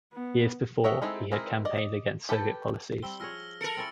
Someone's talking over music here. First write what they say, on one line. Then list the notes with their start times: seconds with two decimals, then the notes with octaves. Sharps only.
Years before, he had campaigned against Soviet policies.
0.12 B3
0.84 A#4 C#5 D#5 E5 F#5
1.02 G#3 C4 D#4 E4 A4
1.32 G#3 C4 D#4 E4 A#4
1.65 D5 D#5
2.29 G4 A4 B4 G5 A5
3.03 G3 C4 E6 G7
3.20 F3 G#4 C#5 E6 F6 A#6
3.61 A4 A#4 C#7 D7 F#7
3.77 C4 C#4 E4 A6